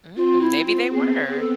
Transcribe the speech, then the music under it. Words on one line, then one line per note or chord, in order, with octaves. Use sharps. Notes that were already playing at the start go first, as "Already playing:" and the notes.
Mm, maybe they were.
C4 F4
E4
C4
F4
B3 G#4
G#4
A4